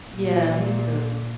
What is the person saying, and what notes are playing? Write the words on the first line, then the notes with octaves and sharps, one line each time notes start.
Yeah, me, too.
A#2